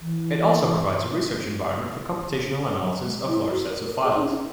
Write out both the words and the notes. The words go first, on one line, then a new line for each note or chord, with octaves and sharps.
It also provides a research environment for computational analysis of large sets of files.
E3
F#3
G#3
E4
F#4
A#4
A#4
G#4
D#4
C#4